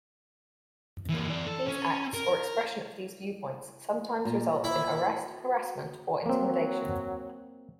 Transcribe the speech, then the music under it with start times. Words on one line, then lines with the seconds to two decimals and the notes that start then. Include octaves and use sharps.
These acts or expression of these viewpoints sometimes results in arrest, harassment, or intimidation.
1.09 E3 A#3
1.28 E3 D5
1.47 A4
1.67 C#4
2.14 A#4
4.25 A#2
4.64 E4
6.26 F#3 A#3 C4